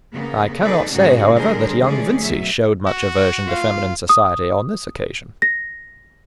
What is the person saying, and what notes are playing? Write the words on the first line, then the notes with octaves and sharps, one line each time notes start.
I cannot say, however, that young Vincey showed much aversion to feminine society on this occasion.
C#3 A#3 B3
D#4 G#4 A4 B4 D5
G#2 C#3 A#3 F#4 G#4
D3 G3 G#3 G#4 A#4 C5
D2 E3 G#3 C#4 G#4 D5
B2 F#3 E5
F#4
F4 F5
D#6
A#6